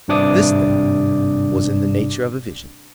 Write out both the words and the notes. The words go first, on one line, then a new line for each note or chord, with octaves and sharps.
This, then, was in the nature of a vision.
G#1 G2 C3 D4 D6 D#6